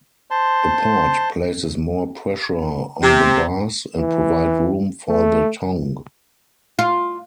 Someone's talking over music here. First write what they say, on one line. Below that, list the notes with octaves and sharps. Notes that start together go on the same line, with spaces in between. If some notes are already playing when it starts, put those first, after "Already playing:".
A port places more pressure on the bars, and provide room for the tongue.
C5 A5 C6
C3
E3
A3
F4